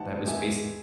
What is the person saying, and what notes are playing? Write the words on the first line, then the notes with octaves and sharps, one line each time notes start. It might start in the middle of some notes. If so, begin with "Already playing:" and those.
that was base
Already playing: A1 G#2 F#5 A5
E2 D#3 G#3 B3 E5 G#5